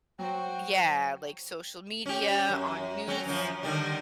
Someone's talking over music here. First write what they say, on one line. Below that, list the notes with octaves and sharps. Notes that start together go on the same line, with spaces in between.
Yeah, like, social media, on news
F#3 F#4 C5 G5
C#4 G4
F#2
F#3 C4 C#4
F#2 F3
D3 D#3 G3